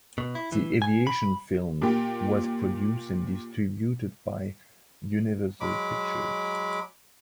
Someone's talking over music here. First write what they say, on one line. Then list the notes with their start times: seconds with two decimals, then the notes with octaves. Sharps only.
The aviation film was produced and distributed by Universal Pictures.
0.18 B2
0.35 E4
0.52 E3
0.82 G#5
1.07 B5
1.82 A#2 G4
5.60 F#3 G#3 B5 D6